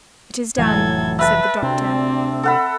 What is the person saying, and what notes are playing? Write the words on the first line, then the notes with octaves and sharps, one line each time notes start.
"It is done," said the doctor.
F1 A2 E3 F#3 A4 G#6
B4 E5 A5
D2 C3 C4 D4
A4 F#5 B5